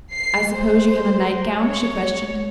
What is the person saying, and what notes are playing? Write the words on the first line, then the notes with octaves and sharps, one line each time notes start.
"I suppose you have a nightgown?" she questioned.
C7
C5
C#5